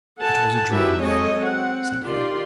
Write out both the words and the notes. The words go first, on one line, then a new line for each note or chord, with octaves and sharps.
'It was a dream, then,' said he.
A4 F#5 G#5 A5
D#3 F#3 E4 G4 B4 E5
F#3 G#3 C4 A4 C#5 D#5
C4 F#5
D#3 F4 G4 D5 C6